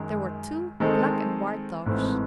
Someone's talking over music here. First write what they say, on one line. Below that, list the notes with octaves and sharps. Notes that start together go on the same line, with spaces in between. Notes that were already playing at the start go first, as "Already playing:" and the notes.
There were two black and white dogs.
Already playing: F#2 D#3 G#3 D#4 G#4
D#3 G#3 C4 D#4 A4
G#1 G#2 E3 A3 C4